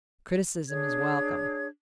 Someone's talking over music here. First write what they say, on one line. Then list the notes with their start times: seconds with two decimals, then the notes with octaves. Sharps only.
Criticism is welcome.
0.69 D4 G#4 C#5 G#6